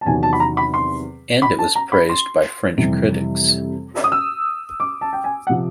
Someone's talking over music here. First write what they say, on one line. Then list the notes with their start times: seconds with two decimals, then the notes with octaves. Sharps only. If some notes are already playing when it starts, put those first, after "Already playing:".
And it was praised by French critics.
0.01 A5
0.06 E2 C3 D#3 F#3 G#5
0.23 A5
0.33 B5
0.40 A#5
0.57 B5
0.74 C6
1.42 B5
1.59 A5
1.75 A#5
1.92 B5
2.09 C6
2.77 F2 C3 E3 G3
4.04 D#6
4.12 E6
4.80 D6
5.01 A5
5.13 G5
5.24 G#5
5.47 C3 F3 F#5